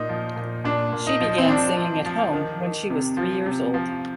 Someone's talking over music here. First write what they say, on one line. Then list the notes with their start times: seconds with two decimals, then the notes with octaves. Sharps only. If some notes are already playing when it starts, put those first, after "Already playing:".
She began singing at home when she was three years old.
Already playing: A#2 D#4
0.09 F3
0.36 A#2
0.64 A#2 D4
0.92 A#2
1.07 D#4
1.20 F3
1.38 C4
1.49 F3 D4
1.77 F3
2.06 F3
2.33 D#3
2.61 D#3
2.90 C3
3.17 F3
3.46 C3
3.74 F3